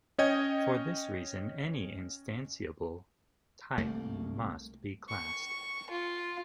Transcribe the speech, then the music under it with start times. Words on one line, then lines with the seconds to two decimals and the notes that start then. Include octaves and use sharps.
For this reason, any instantiable type must be classed.
0.18 C#4 C#5 D#5 G5 G#6
3.78 C2 A3 A#3
5.09 C#6
5.90 F4